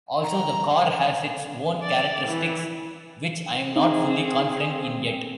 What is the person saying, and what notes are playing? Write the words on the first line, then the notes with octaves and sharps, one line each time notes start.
Also, the car has its own characteristics which I'm not fully confident in yet.
A#5
D5
E3
C4 D#4 G#4